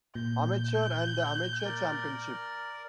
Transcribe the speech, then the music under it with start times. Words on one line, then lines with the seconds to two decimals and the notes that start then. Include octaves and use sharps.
Amateur, and The Amateur Championship.
0.15 A#2 G6
1.65 A#4 D5